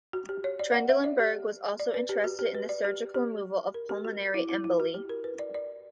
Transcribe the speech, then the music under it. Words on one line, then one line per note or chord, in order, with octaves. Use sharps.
Trendelenburg was also interested in the surgical removal of pulmonary emboli.
F#4
G4
C#5
D5
F#5
E5
D5
G4
D5
B4
G4
F#4
G4
B4
D5
G4
G4
A#4
G4
F#4
E4
E4
E4
F#4
G4
A#4
B4
D5
D5